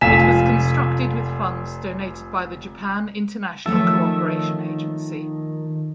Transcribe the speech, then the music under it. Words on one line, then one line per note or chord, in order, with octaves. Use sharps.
It was constructed with funds donated by the Japan International Cooperation Agency.
F1 F4 G#5 B6 E7
D#3 F3 A3 C#5 E5 A5